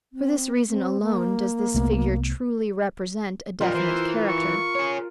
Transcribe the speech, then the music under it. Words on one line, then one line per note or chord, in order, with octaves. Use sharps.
For this reason alone does this figure truly represent a definite character.
C4
C4
A#3
C2 A3 B3
G3 D#4 F4 A#4
E3 C5
C#6
G#4 C#5